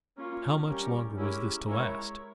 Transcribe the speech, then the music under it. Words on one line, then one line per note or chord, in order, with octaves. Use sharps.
How much longer was this to last!
A#3 C#4 F4
G3 C#4 G4 A#4
G#3 C#4 E4 G4 A#4
G#3 E4 A#4 C#5